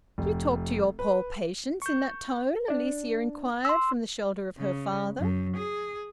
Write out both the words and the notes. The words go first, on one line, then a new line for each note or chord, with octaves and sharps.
"Do you talk to your poor patients in that tone?" Alicia inquired, from the shelter of her father.
F1
B4
C#6 G6
D4 D5
C6 E6
C#3
F#2
G#4